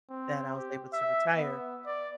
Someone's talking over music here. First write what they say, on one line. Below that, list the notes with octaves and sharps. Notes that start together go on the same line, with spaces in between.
that I was able to retire,
C4
G4
E5
B3
D5